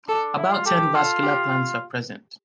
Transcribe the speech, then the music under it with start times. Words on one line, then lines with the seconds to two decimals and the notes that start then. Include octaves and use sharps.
About ten vascular plants are present.
0.09 D4 A4
0.37 E4
0.52 F4
0.66 G4 A4
0.94 F4 A4
1.23 G4